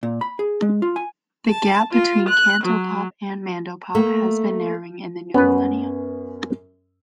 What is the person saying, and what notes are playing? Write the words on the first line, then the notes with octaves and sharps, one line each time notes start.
The gap between cantopop and mandopop has been narrowing in the new millennium.
A#2
B5
G#4
G#3
F4
G#5
A5
F4
F#6
F#3
A3 A#3
F#2 B3 C#4 B4